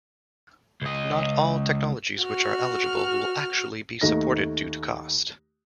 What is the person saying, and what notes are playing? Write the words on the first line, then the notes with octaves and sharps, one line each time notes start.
Not all technologies which are eligible will actually be supported due to cost.
C#2 D#5
F#4 F6
D#2 A3 D#4 A#6